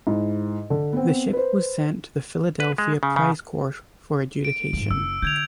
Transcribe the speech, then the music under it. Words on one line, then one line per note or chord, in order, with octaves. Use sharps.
The ship was sent to the Philadelphia Prize court for adjudication.
G#2 E4
D3
B3 C4
B4 C5
B4
G#3
C#3
C#3
D7
F2 G#2
F#1 E6
D3 G6 G#6 F7